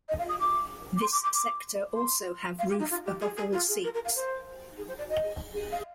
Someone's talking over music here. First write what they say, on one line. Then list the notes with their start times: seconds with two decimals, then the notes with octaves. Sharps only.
This sector also have roof above all seats.
0.09 D#5
0.19 F5
0.29 D#6
0.40 D6
0.97 D6
1.02 C6
1.12 D6
1.24 D6
1.34 D6
1.96 C6
2.59 F5
2.69 G4
2.79 D#4
2.91 F4
3.05 G4
3.21 G#4
3.37 G#4
3.52 F4
3.69 G#4
3.84 A#4
3.94 A#4
4.05 F5
4.16 C5
4.77 G#4
4.88 C5
4.98 D5
5.09 D#5
5.72 F5